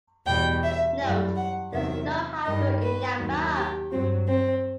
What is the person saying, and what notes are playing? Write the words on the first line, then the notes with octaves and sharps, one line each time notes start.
Note: There is no high school in Yamba.
E2 B2 G3 G5
E5
F#2 E3 G3
F#5
E2 C3 D#3 F#3 E5
G2 D#3 G3 D#5
B4
D#2 D#3 F#3
G4
G2 F#3 C4
C4